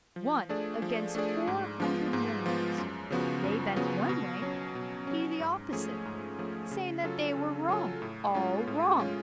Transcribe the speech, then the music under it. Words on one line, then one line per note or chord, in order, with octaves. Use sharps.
One against four hundred millions, they bent one way, he the opposite, saying that they were wrong, all wrong!
F3
A3 D4 G#4 D5
F3
A3 D4 G#4 D5
G#2
F3 G#3 B3 F4
G#2
F3 G#3 B3 F4
F#2
C#3 F3 B3 F#4
F#2
C#3 F3 B3 F#4
B2
F#3 C#4
B2
F#3 C#4
G#2
F3 A3 C#4 G#4
G#2
F3 A3 C#4 G#4
C#3
F#3 C#4 F4 A4
C#3
F#3 C#4 F4 A4
A2
G#3 C#4 F4
A2
G#3 C#4 F4